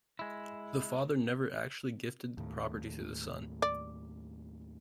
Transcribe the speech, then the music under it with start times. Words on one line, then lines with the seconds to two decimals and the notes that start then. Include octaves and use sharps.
The father never actually gifted the property to the son.
0.19 G#3 E4
2.37 D#2 A2
3.62 D5